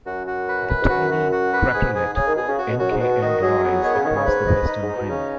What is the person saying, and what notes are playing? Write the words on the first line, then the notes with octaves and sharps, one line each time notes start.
The tiny craterlet Encke N lies across the western rim.
F#2 F#4
F#4
B4
B4
G#2
F#2 F#4
F#4
F#4
B4
G#2 G#4
G#4
C#3 G#4
D#3
B2 G#4
C#3
F#4
B2
F#2 F#4
G#2
B2 F#4
D#3 D#5
F#3 G#4
B3
D#3 C#5
C#3
D#3 C#5
C#3
G#2 B4
D#5
D#4
G#2
D#4
B2
C#3 C#4